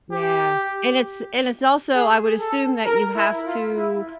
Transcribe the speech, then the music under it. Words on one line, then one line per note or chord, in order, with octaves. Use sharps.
Yeah. And, it's and, it's also, I would assume, that you have to,
G4
G#4
A4
A#4
E4
F4
E4